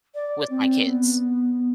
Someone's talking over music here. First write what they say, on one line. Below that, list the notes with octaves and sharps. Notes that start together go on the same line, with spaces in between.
with my kids."
D5
C4
B3